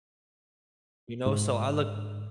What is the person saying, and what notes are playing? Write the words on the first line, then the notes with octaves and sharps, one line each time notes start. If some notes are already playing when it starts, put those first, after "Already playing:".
you know, so I look
G#2